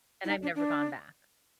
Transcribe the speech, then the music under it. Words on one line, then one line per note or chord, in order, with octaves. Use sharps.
and I've never gone back.
E4
D#4
D4
D4